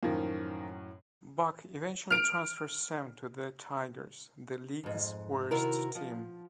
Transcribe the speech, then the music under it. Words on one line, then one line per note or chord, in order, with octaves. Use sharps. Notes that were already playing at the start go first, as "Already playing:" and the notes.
Buck eventually transfers Sam to the Tigers, the league's worst team.
F#2 A2 D#3 F3 A#3 C#4
F6 D7
F2 G#2
C3 D#3 E4 F#4 A#4
F3